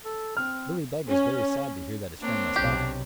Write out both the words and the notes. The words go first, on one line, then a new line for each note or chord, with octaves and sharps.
Billy Beg was very sad to hear that his friend must die.
A4
C4 F6
C#4
A#3 C4 D4 C#5
B1 C3 G4